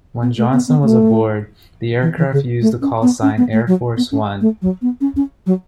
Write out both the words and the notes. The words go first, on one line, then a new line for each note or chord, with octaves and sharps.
When Johnson was aboard, the aircraft used the callsign Air Force One.
B3
A3
B3
B3
A3
E3
E3
C#3
A3
C#4
B3
C#4
B3
A3
F#3
B3
C#4
A3
F#3
B3
C#4
C#4
F#3